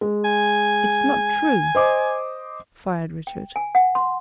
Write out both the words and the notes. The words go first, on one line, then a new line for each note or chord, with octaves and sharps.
"It's not true!" fired Richard.
G#3
G#5
C5 D#5 D6
G5
G#5
F#5
C6